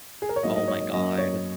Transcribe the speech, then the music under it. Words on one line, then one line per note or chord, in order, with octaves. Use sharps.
Oh my god.
G#4
A#4
C#5
G#2 F#3 A#3 D#5
D#5
C#5
D#5
F#2 F#3 A#3 D#5
C#5